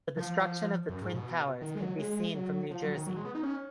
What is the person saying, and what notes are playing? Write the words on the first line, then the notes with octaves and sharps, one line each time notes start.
The destruction of the twin towers could be seen from New Jersey.
F3
F#2
G#2
B2
D#3
G#3
F#3
G#3
F#3
F3
F#3
D#3
F#3
G#3
B3
D#4
C#4